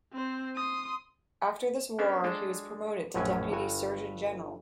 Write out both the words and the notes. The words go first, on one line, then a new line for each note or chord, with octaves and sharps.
After this war he was promoted to Deputy Surgeon-General.
C4 C5
C6 D#6
B3 C#4 D4 A#4 C5
G#3 D4 F4 A4 G5 A5
A#1 F#2 A2 F#3 C#4 G#5
G1 G2 F#4 G#5